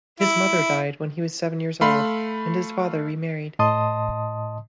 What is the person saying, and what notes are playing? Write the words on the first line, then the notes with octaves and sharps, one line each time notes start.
His mother died when he was seven years old and his father remarried.
E4
A3 F5 B5 C6
A2 D#5 A5 C6 D#6